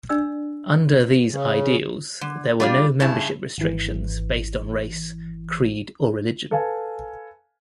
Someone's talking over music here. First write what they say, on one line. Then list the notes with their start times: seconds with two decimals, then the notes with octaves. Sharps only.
Under these ideals, there were no membership restrictions based on race, creed or religion.
0.09 D4 D5 E6
1.31 C#3
2.21 D3
2.60 G3 D4 F4
3.00 G2 C#3 E4 A5
3.58 G#1 E3
6.51 A4 B4 F5 G#5